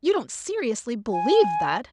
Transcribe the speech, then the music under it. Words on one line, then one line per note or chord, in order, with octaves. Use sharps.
"You don't seriously believe that?"
G#5